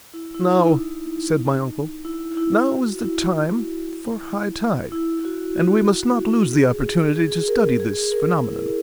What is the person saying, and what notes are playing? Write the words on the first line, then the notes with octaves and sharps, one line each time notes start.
"Now," said my uncle, "now is the time for high tide, and we must not lose the opportunity to study this phenomenon."
E4
E4
D#4
E4
E4
F#4
E4
E4
E4
F#4
F#4
G#4
G#4
A#4
G#4
A#4
E4